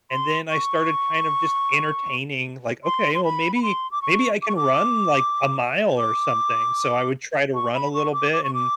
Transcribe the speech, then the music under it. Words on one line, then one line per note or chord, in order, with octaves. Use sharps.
And then I started kind of just entertaining, like, "Okay, well, maybe maybe I can run, like, a mile or something." So, I would try to run a little bit, and
C6
C#6
C6
C6
B5
B5
C6
D6
C#6
D6
C#6
D6
D6
C#6
B5
C#6
D6
D6
C#6
D6